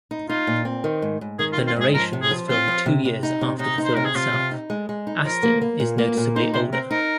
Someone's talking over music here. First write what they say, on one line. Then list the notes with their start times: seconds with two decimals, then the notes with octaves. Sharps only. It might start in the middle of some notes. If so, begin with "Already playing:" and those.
The narration was filmed two years after the film itself; Astin is noticeably older.
0.11 D#4
0.29 D#4 F4
0.47 A#2
0.65 C4
0.84 D#3
1.02 G#2
1.21 G#2
1.39 D#3 G#4
1.53 F4
1.58 C4
1.67 F4
1.76 G#2 G#4
1.94 F3 A#4
2.13 C3
2.22 G#4
2.31 F3
2.49 C4 F4
2.68 F3
2.86 C3
3.05 C3
3.23 D#4
3.41 C3
3.59 C3 D#4
3.78 D#4
3.84 C5
3.94 C3 A#4
4.05 G#4
4.15 C3 F4
4.33 C3
4.51 D#4
4.70 G#3
4.89 G#3
5.07 D#4
5.25 F3 A#4
5.43 A#3
5.61 A#3
5.80 A#2
5.98 A#3
6.17 A#2
6.36 D#4 C5
6.54 C3 C5
6.73 C4 A#4
6.91 D#4 A#4